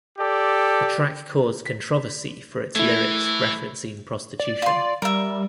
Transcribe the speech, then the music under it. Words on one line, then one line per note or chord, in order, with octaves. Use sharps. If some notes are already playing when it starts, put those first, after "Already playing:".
The track caused controversy for its lyrics referencing prostitution.
G4 A4 D5
B6
E3 A3 E4
D5
F4 C6
G3 A#4 E5